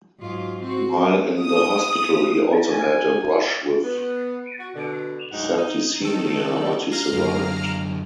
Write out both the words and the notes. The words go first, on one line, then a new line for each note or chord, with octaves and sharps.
While in the hospital, he also had a brush with septicemia, but he survived.
G#2 F#3 F4
C4 F#4
D#6
G#5
B3
F#4
B2 D3
D2 G#2 F#3 D#4 G4 F#5
D#4
D#3 A4
G4 D5
F5 A#5 F6
F#2 D3